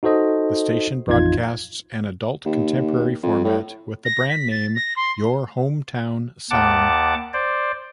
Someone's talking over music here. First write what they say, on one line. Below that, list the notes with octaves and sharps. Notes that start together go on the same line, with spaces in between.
The station broadcasts an adult contemporary format with the brand name Your Hometown Sound.
D#4 F#4 A4 C5 D#5
A1 F2 D#4 F4 G#6
D#2
F2
A2
A#6
B6
A6
A#6
C6
D#2 F#5 A5 D6
C5 D5